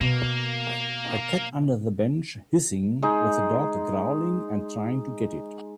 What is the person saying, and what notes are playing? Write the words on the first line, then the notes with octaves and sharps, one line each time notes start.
A cat under the bench hissing with a dog growling and trying to get it.
B2 A#3
G#3 D#4